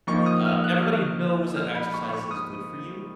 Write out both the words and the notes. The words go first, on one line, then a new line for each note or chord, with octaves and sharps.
Uh, everybody knows that exercise is good for you,
F3 A#3 D#4 C#6
D#6
F6
F#6
F6
F6
B5
C#6
C#6
D#6